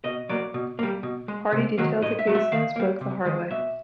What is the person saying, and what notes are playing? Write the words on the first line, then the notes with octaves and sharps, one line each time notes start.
Hardy detailed the case in his book "The Hard Way".
B2 D#5
F#3 A#3 D5
B2
G3 A#3
B2
G#3
C3
D#3 F#3 A#3
A2 D#5
E5
F#3 A3
E5
D#3 F5
G3 A#3
C3
D#3 G#3
B2 E5